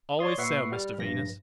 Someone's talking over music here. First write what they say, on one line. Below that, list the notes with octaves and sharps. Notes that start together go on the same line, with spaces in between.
'Always so, Mr Venus.
C#5 D5 C6 D#6
A#2 B4 E5 F#5 C#6 C7
G3 F6
A#1 G2 A#6